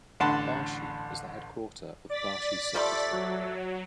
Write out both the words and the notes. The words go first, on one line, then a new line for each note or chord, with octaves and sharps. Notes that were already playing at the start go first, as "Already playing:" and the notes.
Barshi is the headquarter of Barshi subdistrict.
A1 D3 F#5 A5 B5 C6
D5 A6 B6
F3 G3 A3
F#3